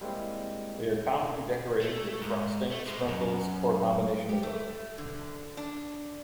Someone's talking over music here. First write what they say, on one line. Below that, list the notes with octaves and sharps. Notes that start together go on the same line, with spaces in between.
They are commonly decorated with frosting, sprinkles, or a combination of both.
G3 G#3 A#3 C4 E4
A3
G#2
A3
A2 G#3
F#2
G4
A3
D3
D4